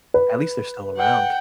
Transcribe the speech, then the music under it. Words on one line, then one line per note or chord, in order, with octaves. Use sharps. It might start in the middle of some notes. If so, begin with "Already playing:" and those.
at least they're still around.
B4
F#5 G5